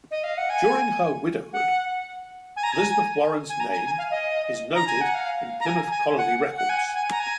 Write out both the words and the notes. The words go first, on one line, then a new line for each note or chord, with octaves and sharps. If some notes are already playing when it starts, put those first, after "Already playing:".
During her widowhood, Elizabeth Warren's name is noted in Plymouth Colony records.
D#5
F5
F#5
G#5
F#5
G#5
A#5
G#5
G#5
A#5
G#5
G#5
F5
D#5
A#5
G#5
F#5
F5
A#5
G#5
G#5
F#5
F#5
G#5
G#5
A#5
G#5